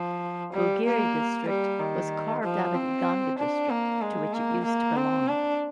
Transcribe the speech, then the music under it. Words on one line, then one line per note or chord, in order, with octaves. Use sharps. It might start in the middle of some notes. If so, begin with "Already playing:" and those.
Bugiri District was carved out of Iganga District, to which it used to belong.
Already playing: F3
G3
A#3
G3
D#3
F3
C4
D4
A#3
G#3
A#3
A#3
C4
D4